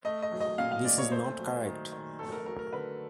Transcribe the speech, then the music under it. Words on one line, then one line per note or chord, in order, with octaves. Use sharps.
This is not correct.
A3 D#5
D#5
F#3
D#5
A#2 F5
F5
A#2 D5
C#5
A3 C5
F#3
D#3
D#3
A3 A4
A#4
F#3 A#4
A#4
D3 B4